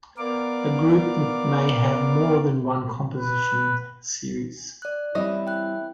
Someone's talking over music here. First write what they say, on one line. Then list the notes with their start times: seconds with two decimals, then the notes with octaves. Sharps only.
A group may have more than one composition series.
0.18 B3 A#4 D5 F5 D6
3.16 B4
4.82 D5 F#6
5.15 E3 G3 C4 C#4 E4 D#5
5.47 G5 F#6